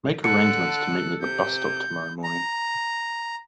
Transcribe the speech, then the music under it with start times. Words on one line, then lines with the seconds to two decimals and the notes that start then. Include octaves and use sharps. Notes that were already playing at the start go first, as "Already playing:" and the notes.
Make arrangements to meet me at the bus stop tomorrow morning.
0.24 D3 A4 F#6 C#7
1.22 C3 G6
2.24 A#5